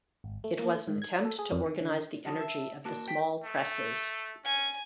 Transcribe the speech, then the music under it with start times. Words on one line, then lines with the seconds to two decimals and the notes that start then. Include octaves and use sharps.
It was an attempt to organize the energy of the small presses.
0.24 G#1
0.44 A3
0.59 A#3
0.75 A3
0.88 G#2
1.02 G#6
1.25 A4
1.39 G#4
1.52 F2
1.66 D#3
1.80 D3
2.26 F3 F#3 D#4 A5
2.40 E5
2.85 A#3 F#4 A5
3.08 G5 B6
3.44 A3
4.45 C#4 G#5